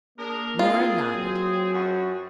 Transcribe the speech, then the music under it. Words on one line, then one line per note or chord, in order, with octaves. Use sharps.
Nora nodded.
A#3 D4 G#4 A#4
C4 F4 G#4
F#3
F#2 F#4